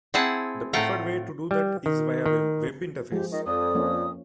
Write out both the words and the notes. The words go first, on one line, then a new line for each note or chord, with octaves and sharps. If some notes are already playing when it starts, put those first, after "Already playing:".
The preferred way to do that is via a Web interface.
C4 E4 G#4 F#5 A5
A2 A3 F4 F#5 G5 A#5
G3
D#3
D#3
F3 G#3 G4
D#3 D#5
F2 D5 D#6
F3 A#3 C#4